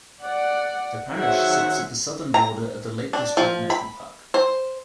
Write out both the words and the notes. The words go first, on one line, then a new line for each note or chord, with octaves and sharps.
The Parish sits at the southern border of the Lake District National Park.
D5 F#5
D#3 F#3 G#4 C5 E5 F#5
A#5
D4
F3
B5
C5